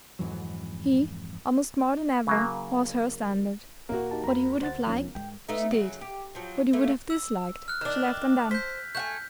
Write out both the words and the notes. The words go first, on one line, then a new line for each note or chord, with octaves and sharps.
He, almost more than ever, was her standard. What he would have liked, she did; what he would have disliked, she left undone.
F2 G#2 E3 F#3
C#3 F#3 A#3
D#2 A#2 A#3 F#4
D#4 G4 A5
F2 A#5 B5
D2 C5 F#5 A6
E1 D#2 F3 C#4
G2 G#3 G5
A3 B3 D#4
C#3 F#3
G4
F3 F#3
A3 A#3
E6
F6 F#6
D#3 D4
C5 G6 B6
A3 F#5 G#5 G6